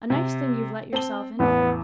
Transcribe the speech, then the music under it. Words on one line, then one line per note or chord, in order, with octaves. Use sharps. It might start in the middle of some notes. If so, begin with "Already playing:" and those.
A nice thing you've let yourselves in for!'
C3
C4 A5 G7
A1 E2 B3